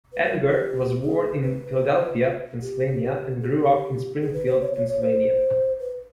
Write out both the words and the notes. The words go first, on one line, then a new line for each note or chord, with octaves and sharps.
Edgar was born in Philadelphia, Pennsylvania, and grew up in Springfield, Pennsylvania.
B4
A#4
G4
G#4
B4
G4
G#4
G4
G#4
B4
C5
C#5
C#5
C#5
C5
B4